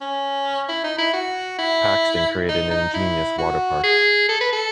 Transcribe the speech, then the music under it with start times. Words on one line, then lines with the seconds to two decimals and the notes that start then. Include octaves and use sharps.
Paxton created an ingenious water park.
0.01 C#4
0.69 E4
0.84 D#4
0.98 E4
1.13 F#4
1.59 E4
2.49 D#4
2.71 D#4
2.94 E4
3.38 F#4
3.84 G#4
4.29 A4
4.41 B4
4.53 A4